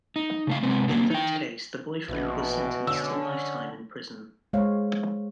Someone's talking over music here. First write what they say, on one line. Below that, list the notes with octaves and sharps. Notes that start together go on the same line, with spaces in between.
In that case the boyfriend was sentenced to lifetime in prison.
D#4
C#3 A3 F5
C3 G#3 B3 C4
D3 F#3 A#3
D#4 G5
A#1 B2 E3
D3 C#4 E6
G#3 C5 C#5 F5